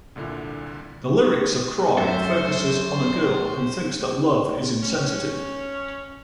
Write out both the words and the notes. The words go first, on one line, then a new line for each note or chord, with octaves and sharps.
The lyrics of "Cry" focuses on a girl who thinks that love is insensitive.
C2 A#2 D3 E4
F#2 A4 C5 C#5 E5
C#4